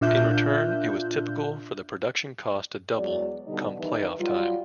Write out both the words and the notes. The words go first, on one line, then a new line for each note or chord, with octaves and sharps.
In return, it was typical for the production cost to double come playoff time.
A#2 D4 F4 E5 F#6 G6
E2 F#3 G#3 D5
B2 D3 G3 D#4
D#3 E3
F#3 G3 F4